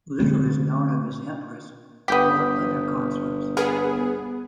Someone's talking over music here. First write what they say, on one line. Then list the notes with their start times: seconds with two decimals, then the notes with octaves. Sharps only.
Little is known of his empress or other consorts.
0.20 A#2 D3 A3 C4
2.08 G1 B3 G4 D#6 G6 B6
3.57 B3 G#4 A#4